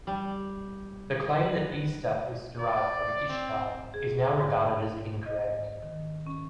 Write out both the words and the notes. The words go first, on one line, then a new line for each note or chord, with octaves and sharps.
The claim that "Easter" is derived from "Ishtar" is now regarded as incorrect.
G3
B4
D5
C4
G#4
G#2
D#5
D#3
C#4